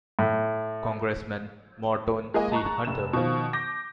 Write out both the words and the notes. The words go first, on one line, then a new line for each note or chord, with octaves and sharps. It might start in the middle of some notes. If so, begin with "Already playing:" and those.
Congressman Morton C. Hunter.
A2
G#3 A#3 D#5 G#5
A5 A#5 C#6 F#6
F1 E7
B2 D#3 F3
D6 G6 A#6